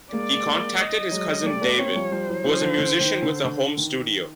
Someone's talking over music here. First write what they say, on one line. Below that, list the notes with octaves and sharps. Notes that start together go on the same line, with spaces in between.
He contacted his cousin David, who was a musician with a home studio.
G#3 A#3 D5
G#3 A#3
D#5
F#3 G#3
A#3
G3 A3 D5
A3 B3
A#3 C4 C#5
F3 G3
F3 G3 C5
E3 F#3
E3 F#3
D#3 F3
D3 E3
D#3
D3
D3
D#3